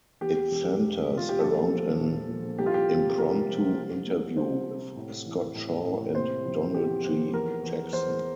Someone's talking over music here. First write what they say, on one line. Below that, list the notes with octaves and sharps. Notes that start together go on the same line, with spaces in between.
It centers around an impromptu interview with Scott Shaw and Donald G. Jackson.
E2 G4
E1
E1
E1
F4
G4
A#1 A4
F3
A#2
F3
C2 G4
F4
G4
C3
C2 A#4
F3
C2
C2
C2 C5
C3
A2
E3
A2
A2
C3 C5
F3
E2 G4
F3
E2 A#4
E2
E2 C5